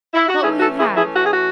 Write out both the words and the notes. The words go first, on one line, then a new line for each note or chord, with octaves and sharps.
What will you have?
E4
F#4
E3 A3 C#4 E4 G#4
F#4 A4
E4 G#4
E4 G#4
F#4
G#4
F#4